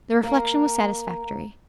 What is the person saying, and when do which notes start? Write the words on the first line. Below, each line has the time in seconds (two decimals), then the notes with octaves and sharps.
The reflection was satisfactory.
0.23 A#3 A#5